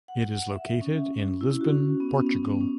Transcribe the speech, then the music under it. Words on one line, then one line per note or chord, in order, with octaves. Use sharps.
It is located in Lisbon, Portugal.
F#5
F#5
E5
C#4
E4
E4
F#4
C#4
B3
C#4
B3
C#4
B3
C#4
B3
C#4